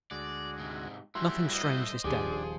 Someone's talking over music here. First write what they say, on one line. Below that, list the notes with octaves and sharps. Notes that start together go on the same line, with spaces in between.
Nothing Strange this day.
D2 G#3 F#4 D5
G#2 C3
G3 A3 C#4 E4 F#4 C6
G2 A3 C5 D#5
D#1 F3 D4 G4 G#4 D5